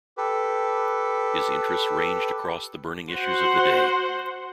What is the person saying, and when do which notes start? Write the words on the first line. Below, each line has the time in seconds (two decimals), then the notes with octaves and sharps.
His interests ranged across the burning issues of the day.
0.18 G4 A4 B4
3.10 F#4 C5 F#5